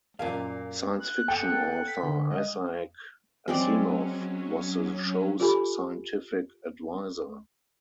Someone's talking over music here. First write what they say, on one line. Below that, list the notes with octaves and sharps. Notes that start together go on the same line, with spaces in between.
Science fiction author Isaac Asimov was the show's scientific adviser.
F#2 A#2 D5 F5 G#5
F#6
A4 F#5 G5
B6
D3
G#3 D#5
F#3 G#3 C4 C#4 D5
F4 G4 A4 G#5 B5